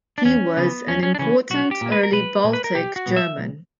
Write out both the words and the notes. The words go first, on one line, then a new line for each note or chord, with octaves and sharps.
He was an important early Baltic German.
D4
E2 C#4
C#3 E3 B3
E2 C#4
C#4
D4
C#3 E3 C#4
B1 F#4
G4
A#2 A#3
B4
A#4
B1 B4
A#2 A#3
B4
A#4
B1 G4
F#4
A#2 G3 B3
E5
B1